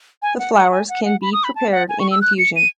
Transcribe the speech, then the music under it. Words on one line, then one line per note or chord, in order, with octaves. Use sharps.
The flowers can be prepared in infusion.
G#5
F#5
F#5
G#5
F#5
F#5
B5
D#6
B5
A5
F#5
G#5
C#6
E6
F#6
C#7
D#7